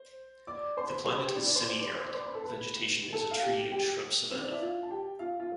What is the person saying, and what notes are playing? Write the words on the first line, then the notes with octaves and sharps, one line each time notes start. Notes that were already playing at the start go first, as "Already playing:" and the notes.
The climate is semi-arid, vegetation is a tree and shrub savanna.
Already playing: C5
D5 D6
C5 C6
B4 B5
C5 C6
B4 B5
G4 G5
D4 D5
D4 D5
C5 C6
D5 D6
C5 C6
C5 C6
D5 D6
C5 C6
B4 B5
A4 A5
B4 B5
A4 A5
F5
G4 G5
G4 G5
C4 C5
D4 D5
E4 E5
F4 F5
A5
G4 G5
F4 F5
F4 F5